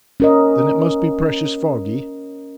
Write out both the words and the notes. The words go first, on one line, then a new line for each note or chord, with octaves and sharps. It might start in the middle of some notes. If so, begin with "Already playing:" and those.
Then it must be precious foggy?'
C#4 A#4 D#5